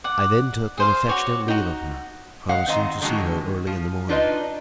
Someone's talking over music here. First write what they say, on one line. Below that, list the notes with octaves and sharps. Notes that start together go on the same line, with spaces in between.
I then took an affectionate leave of her, promising to see her early in the morning.
D5 F#5
G#4 C5 F5
F#4 C#5 D5
D#4 F#4
G#3 F5 F#5
D#3 C4 C5 D#5 A#5
D3 D#3 F#3 G#3 A3 F#4
F3
D4 D#4 F4 B4 D5 D#5